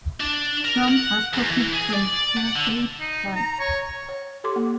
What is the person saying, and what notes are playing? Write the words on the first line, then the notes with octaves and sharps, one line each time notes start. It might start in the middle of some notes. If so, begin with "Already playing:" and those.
Some are copied from Keirsey's site.
D4
A#4
F#5
E2
E3
G#4
D5
F#5
D3
D#4
A#5
C#5
C#5
G4 A4 C6 D6
A#3